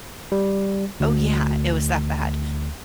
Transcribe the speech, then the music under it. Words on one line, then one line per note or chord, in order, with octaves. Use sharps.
Oh, yeah. It was that bad.
G3
D2